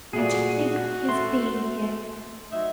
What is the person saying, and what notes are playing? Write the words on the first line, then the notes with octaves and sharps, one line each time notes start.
And to think of his being here!
A#2 A3 F#4 G#4 D5
A3 C6
F#3 D#4 E5